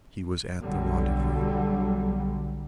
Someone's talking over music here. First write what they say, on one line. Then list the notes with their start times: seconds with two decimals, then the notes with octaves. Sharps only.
He was at the rendezvous.
0.62 B1 D3 F#3 G3